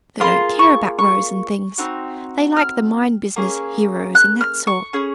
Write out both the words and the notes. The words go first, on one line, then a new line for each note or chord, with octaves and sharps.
'They don't care about rows and things; they liked the mine business, heroes, and that sort.
A#3 F4 G#4 C6
C#6
C#6
C4 D#4 F#4
F6
A#3 C#4 G#4
F#6
F6
C#6
C#4 G#4